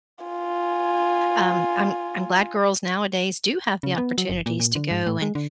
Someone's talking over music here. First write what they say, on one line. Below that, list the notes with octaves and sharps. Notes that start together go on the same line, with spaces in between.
Um, I'm I'm glad girls nowadays do have the opportunities to go and
F4 G#5
C#3
B3
F#3
F#1
A#2
A#2
D3
G#2
A2
G#3
D3